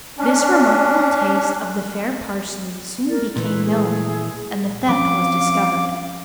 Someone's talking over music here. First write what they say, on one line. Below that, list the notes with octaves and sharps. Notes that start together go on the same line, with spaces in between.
This remarkable taste of the fair Parsley soon became known, and the theft was discovered.
C#4 D4
A#4 D5
A#2 E3 A3 B4
G#4
F3 C4 C#4 F5 D6